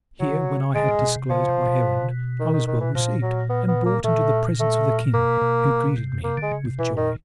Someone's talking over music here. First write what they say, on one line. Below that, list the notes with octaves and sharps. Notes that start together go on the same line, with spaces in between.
Here, when I had disclosed my errand, I was well received, and brought into the presence of the king, who greeted me with joy.
C#3 F#3
D3 G#3
A#2
A#2
B2
C3
C#3 F3
C3
B2
D#3
D#3
D#3
E3
A#2 F3
F#3
B3
B3
A#3
A#2 A3
A3
B2 A#3
B2
B2
C3
C3 A#3
D3
G#3
C#3
C3
B2 E3
A#2 D#3